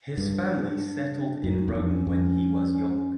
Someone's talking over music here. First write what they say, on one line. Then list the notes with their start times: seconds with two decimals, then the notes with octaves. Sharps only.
His family settled in Rome when he was young.
0.17 G2 D4
1.44 F#2 D#4
1.59 D#4
1.68 E2
1.75 F2 D4
1.91 C#4
2.07 F2 C#4